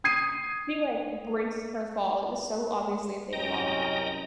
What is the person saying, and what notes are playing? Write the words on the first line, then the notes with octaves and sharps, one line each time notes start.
she like braced her fall, it was so obviously a fake fall.
D#6 G#6 C7 D#7
C2 F#2 C#4 D#5 G5 A#5